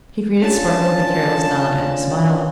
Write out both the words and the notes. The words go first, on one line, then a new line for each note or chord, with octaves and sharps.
He greeted Spargo with a careless nod and a smile.
C#4 D4 F4 A5